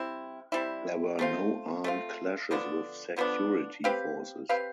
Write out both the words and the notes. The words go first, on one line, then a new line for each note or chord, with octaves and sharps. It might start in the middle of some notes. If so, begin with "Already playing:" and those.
There were no armed clashes with security forces.
Already playing: G3 C4 E4
G3 C4 E4
A3 C4 F4
A3 C4 F4
D3 F3 B3 D4
D3 F3 B3 D4
C4 G4 B4 F5
C4 G4 B4 F5